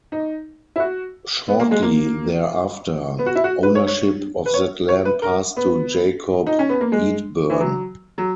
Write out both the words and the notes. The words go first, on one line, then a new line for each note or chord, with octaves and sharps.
Shortly thereafter, ownership of that land passed to Jacob Edeburn.
D#4
E4
F#4
B3
A#3
G#3
A#3
B3
F#4
E4
F#4
B4
C#5
C#5
B4
C#5
C#5
B4
A#4
B3
D#4
C#4
B3
A#3
G#3
E3
F#3
F#3